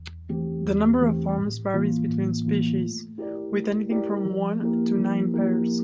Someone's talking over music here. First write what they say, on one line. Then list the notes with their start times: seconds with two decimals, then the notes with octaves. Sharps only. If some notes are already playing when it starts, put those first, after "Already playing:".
The number of arms varies between species, with anything from one to nine pairs.
Already playing: E2
0.29 E3 A3 C4 G4
0.65 E2
1.01 E3 A3 C4 G4
1.38 A2
1.74 E3 A#3 F4
2.09 A2
2.45 E3 A#3 F4
2.82 A3
3.18 E4 G4 A#4 D5
3.54 A3
3.90 E4 G4 A#4 D5
4.25 F3
4.61 A#3 E4 G4 A#4
4.98 F3
5.34 A#3 E4 G4 A#4